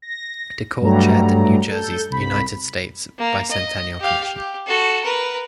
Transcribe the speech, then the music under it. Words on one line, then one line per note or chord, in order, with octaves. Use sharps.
DeKorte chaired the New Jersey's United States Bicentennial Commission.
A#6
G2 F#3 G3 A3 A#5
A4 G6
C2 B5 B6
A#3
D#5
G4 F5
G4
F#4 A4
A#4 B4